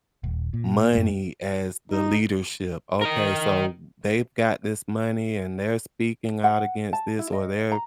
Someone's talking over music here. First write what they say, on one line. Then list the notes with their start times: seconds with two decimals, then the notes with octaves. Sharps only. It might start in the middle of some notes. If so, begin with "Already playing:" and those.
money as the leadership. Okay, so they've got this money and they're speaking out against this, or they're
0.24 D#1
0.54 A#2
0.95 F#2 A3
1.91 D#4
3.01 A#4 D#5
6.44 F#5
6.93 A5
7.19 E4
7.32 D#5
7.72 A#5